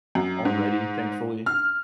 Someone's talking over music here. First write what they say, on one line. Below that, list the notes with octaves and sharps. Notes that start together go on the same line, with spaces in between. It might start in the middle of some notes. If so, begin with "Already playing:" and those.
already, thankfully.
F#2
G#2
F6